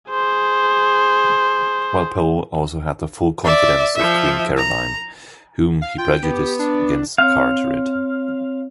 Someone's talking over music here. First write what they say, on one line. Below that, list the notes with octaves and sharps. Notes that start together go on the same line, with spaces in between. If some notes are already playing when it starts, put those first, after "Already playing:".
Walpole also had the full confidence of Queen Caroline, whom he prejudiced against Carteret.
G#4 C5
D5 E5
F3 E5
A#5
F5
F4 G5
B3 G4
D4
C4 C#5 F5